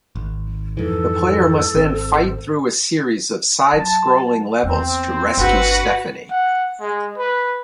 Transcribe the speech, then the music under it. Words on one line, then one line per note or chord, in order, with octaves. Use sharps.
The player must then fight through a series of side-scrolling levels to rescue Stephanie.
G#1
F2 G#2 E3 A4
G#1 C4
F#3 A5
E2 B3 C4
G1 D2 F#4 B4 F#5
F#5
G#3
B4